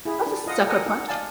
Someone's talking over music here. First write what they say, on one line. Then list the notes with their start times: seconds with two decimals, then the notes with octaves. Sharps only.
That's a sucker punch.
0.05 E4 G#4
0.27 D4
0.46 F4 D#5 F5 F#5
0.66 A4 A#4 D#5 F#5 G#5
0.86 D#4 F#4 F#5
1.08 D5 F5 G#5 A5